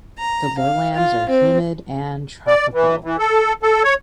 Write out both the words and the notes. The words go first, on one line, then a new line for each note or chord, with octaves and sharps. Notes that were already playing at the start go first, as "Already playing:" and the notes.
The lowlands are humid and tropical.
A#5
F5
F4
C4
D5
E3
E3
A4
A4
C#5